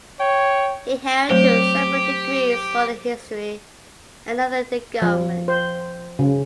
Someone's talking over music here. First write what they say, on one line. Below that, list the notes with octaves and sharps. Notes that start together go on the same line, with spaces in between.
He held two separate degrees, one in history and another in government.
C#5 G5
F#3 A3 C4 G4 C5
F3
C5
C#3